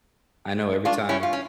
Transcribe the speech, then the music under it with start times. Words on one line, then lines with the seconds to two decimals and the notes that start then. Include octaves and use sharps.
I know every time
0.85 D4 F4
1.09 C#4 E4
1.23 F4
1.33 C#4